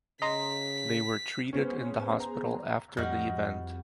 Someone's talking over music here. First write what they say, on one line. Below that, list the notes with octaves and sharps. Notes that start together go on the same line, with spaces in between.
They were treated in the hospital after the event.
C#3 D#5 A#5 C6 B6
B3 C#4 G#4 C5
A#5
F2 G3 F#4 D#5 F6